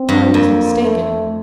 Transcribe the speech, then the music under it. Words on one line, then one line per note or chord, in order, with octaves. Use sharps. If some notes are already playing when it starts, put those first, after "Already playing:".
I was mistaken.
Already playing: C4
G2
F2 A#3
A3